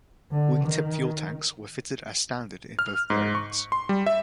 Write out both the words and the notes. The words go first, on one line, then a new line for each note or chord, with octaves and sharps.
Wingtip fuel tanks were fitted as standard in both variants.
D3
D#3
F6
G#2
C#6
C6
G3
E5